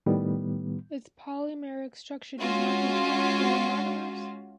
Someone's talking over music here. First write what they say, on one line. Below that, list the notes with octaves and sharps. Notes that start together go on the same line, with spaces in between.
Its polymeric structure does not contain free monomers.
A2 D#3 G3 B3
G#3 C#4 F4 F#4